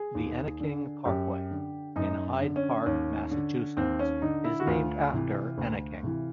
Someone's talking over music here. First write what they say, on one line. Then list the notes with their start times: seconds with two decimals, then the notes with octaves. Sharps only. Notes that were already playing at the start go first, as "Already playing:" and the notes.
The Enneking Parkway in Hyde Park, Massachusetts is named after Enneking.
Already playing: G#4
0.15 D#2
0.60 D3
1.05 F#2 G4
1.51 D3
1.96 F#2 D#4
2.41 D3
2.56 C#4
2.86 D#2 C#4
3.31 D3
3.77 D#2 C4
3.99 C#4
4.22 D3 D#4
4.44 E4
4.60 F#4
4.67 D2 F4
5.13 C3 E3
5.58 D2
6.03 C3 E3